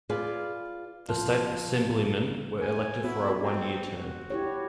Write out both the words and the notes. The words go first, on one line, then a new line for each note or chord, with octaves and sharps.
The State Assemblymen were elected for a one-year term.
F4 G#4 B4 D5
F3
G#5
B3 E4 F#4
C4
F#4
E4 G4 C#5